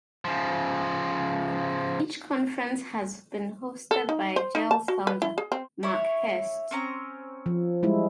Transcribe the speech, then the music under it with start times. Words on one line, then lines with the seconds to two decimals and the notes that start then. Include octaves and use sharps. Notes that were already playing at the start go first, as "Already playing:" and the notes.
Each conference has been hosted by Gel's founder, Mark Hurst.
0.25 C#3 F3
3.91 A4
4.09 D#4
4.36 C5
4.55 D#4
4.71 A5
4.88 F#4
5.07 B4
5.22 E4
5.38 G#4
5.52 C4
5.83 E4 C#5
6.71 C4 C#4 A#5
7.46 F3
7.83 G3 G#3 E4